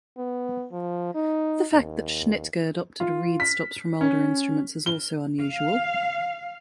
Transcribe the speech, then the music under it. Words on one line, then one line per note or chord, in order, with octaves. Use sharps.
The fact that Schnitger adopted reed stops from older instruments is also unusual.
B3
F3
D#4
D#2
F4
B6
C#4
G7
F5